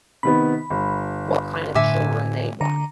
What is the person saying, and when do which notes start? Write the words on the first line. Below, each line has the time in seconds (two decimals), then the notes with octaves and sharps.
what kind of children they wanted.
0.23 C3 D#3 B3 B5
0.70 G1
1.75 A2 D3 E5 G#5 D6
2.61 D3 A#5